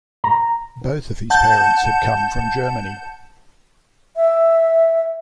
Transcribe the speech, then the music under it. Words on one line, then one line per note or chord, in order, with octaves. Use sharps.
Both of his parents had come from Germany.
A#5
F#5 A5 G6
E5